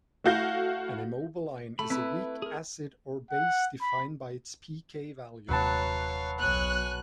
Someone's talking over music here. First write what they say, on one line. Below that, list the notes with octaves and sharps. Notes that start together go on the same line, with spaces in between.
An Immobiline is a weak acid or base defined by its pK value.
A3 E4 F#4 F5 G6 A#6
A3 B5
C4 E4 B4
G#4 A#4
F#5
B5
D#1 D#2 C3 F#3 B4 C#5 F5 A5
B1 C#5 G#5 F#6